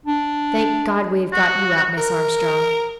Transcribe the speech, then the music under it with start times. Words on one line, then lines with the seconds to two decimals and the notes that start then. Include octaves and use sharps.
"Thank God, we have got you out, Miss Armstrong."
0.06 D4
1.32 F#4
1.98 A#4